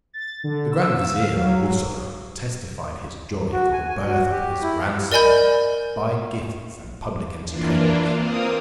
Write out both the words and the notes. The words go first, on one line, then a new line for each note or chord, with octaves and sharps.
The grand vizier, of Bussorah testified his joy for the birth of his grandson by gifts and public entertainments.
A6
D3
E6
F5
F#3
F#4
G#5
G#5
F#4
G4
E4
A#4 D5 D#5 G#5 B5 G6
E3 A#3 D4 F4
A#3 C4 A#4 D#6